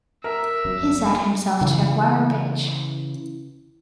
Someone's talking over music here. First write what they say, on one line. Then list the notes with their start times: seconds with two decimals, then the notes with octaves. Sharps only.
He set himself to acquire pitch.
0.24 A#4 E5
0.65 G1 F#2
1.61 C#3 E3